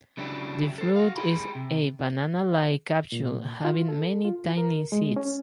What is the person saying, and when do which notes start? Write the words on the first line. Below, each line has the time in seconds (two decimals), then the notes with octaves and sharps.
The fruit is a banana-like capsule having many tiny seeds.
0.17 C#3 F#3 D4 E4 G4
0.78 A4 C5
0.96 F#4 F5
1.16 G4 G#4 G5 B5 C6
1.55 C3
3.12 A#2
3.65 F4
3.88 A4
4.25 F4
4.57 A#4
4.92 G#3
5.16 C#4